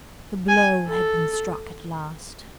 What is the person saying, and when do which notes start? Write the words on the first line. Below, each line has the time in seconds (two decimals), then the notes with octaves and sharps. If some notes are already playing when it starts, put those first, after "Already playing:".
The blow had been struck at last.
0.49 G#5
0.89 A4